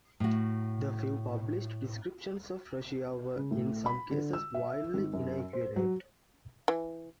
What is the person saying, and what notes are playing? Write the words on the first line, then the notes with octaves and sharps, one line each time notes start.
The few published descriptions of Russia were in some cases wildly inaccurate.
A2 F#4
C#3
A2
B5
D3
E6
E5
G#1
F#2
C5
F#3
E3